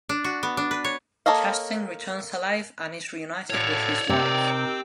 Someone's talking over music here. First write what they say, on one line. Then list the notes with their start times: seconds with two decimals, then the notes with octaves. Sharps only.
Chastain returns alive and is reunited with his wife.
0.09 D4
0.24 F#4
0.43 B3
0.57 D4
0.71 B4
0.84 C#5
1.26 A#3 A4 C#5 D#5 F5
3.50 A2 C#3 F#4 A4 C#5 D5
4.09 C3 C4 D#4 A#4 G5 D6 E6